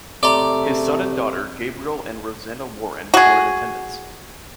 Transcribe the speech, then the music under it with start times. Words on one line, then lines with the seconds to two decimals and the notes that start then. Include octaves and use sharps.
His son and daughter, Gabriel and Rosanna Warren, were in attendance.
0.23 C3 A3 D5 A#5 C6 D6
3.14 F#4 G#4